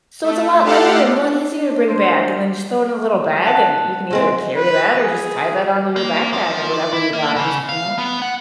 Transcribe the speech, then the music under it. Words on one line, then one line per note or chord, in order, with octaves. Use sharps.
so it's a lot lighter and a lot easier to bring back, and then just throw it in a little bag, and you can either carry that or just tie that onto your backpack or whatever you got and s you know?
A3
A3 G4 A4 F5 F#5
D4
C5
F#5 A5
F#3 G#3 C4
B4
G#4
A#3
F3
D5
E4
A#3
C#3
F5
B3
F#5